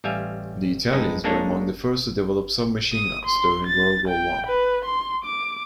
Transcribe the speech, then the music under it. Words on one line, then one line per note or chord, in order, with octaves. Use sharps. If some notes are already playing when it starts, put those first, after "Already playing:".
The Italians were among the first to develop submachine guns during World War One.
A1 G3 E5 F5 G#5
G2 G#3 D#4 B4
G#3 A#3 D4 D#4 A4 C#5
D#6
C6
A6
G5
B4
C6
D6